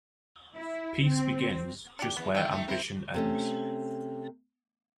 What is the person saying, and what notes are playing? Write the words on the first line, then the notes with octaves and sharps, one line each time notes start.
Peace begins just where ambition ends.
E4
C4
D4 G4
E2 E3 B3
D#3 E3 A4 G5
A3 D#4
C4 E4 A#4
C3 A3 C#4